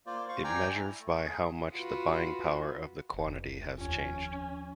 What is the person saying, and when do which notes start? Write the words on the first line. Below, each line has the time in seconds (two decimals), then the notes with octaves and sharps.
It measures by how much the buying power of the quantity has changed.
0.06 A#3 F4 C5 D5
0.29 C5 F5 C#6
0.44 D5 G5 G#5 A#5
0.74 E4
0.99 A3
1.24 G#4
1.72 F4 F#4 B4
3.13 F1
3.78 D#2 F3 C#4